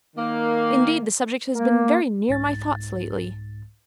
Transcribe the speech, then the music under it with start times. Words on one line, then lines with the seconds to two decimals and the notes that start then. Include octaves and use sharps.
Indeed, the subject has been very near my thoughts lately.
0.16 D#3 A#3
1.56 A#3
2.28 C2 G#2 A6